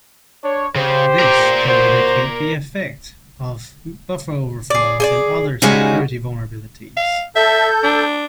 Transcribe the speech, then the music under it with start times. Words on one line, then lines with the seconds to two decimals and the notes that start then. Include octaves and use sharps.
This can mitigate the effects of buffer overflows and other security vulnerabilities.
0.44 D4 C#5
0.75 C#3 G4 C5
1.19 A#4 D5
1.68 F#4 C5
4.70 G#4 D5
5.00 G#4 C5 D5
5.62 C#3 G3 G#3 C#4 D#4 F#4
6.97 F5
7.36 A4 E5 G6
7.83 D4